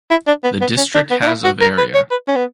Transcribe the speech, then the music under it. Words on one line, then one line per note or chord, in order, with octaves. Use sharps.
The district has of area.
E4
D4
B3
B3
C#4
D4
B3
D4
E4
F#4
A#4
B4
C#5
B4
C#4
B3